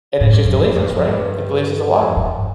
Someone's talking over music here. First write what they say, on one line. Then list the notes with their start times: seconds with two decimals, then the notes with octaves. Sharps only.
and it just delays us, right? It delays us a lot,
0.21 A2
0.32 G2
0.45 F2
0.76 G2
0.91 F2
1.07 G2
2.01 F2
2.17 G2